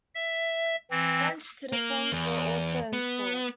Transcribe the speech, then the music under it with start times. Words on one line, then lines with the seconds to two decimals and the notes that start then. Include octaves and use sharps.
French citizens were also installed.
0.15 E5
0.91 E3 C4
1.72 A#3
2.12 E2
2.93 B3